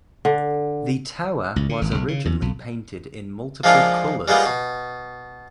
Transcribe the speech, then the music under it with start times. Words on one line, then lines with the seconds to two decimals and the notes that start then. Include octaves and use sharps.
The tower was originally painted in multiple colors.
0.25 D3
1.56 C#2
1.69 D3
1.82 G#1
1.95 B1
2.08 C#3
2.25 E2
2.42 B1
3.64 F3 G#3 A#3 D4 E4 F4
4.28 G3 G#3 A#3 B3 F4
4.46 B2